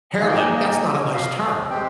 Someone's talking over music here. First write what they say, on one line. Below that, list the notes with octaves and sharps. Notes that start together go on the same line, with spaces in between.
'hairlip,' that's not a nice term."
A#3 D#4 G#4 F5
G5
A#5
D#5
C#5
F5
G#3 C4 G4 G5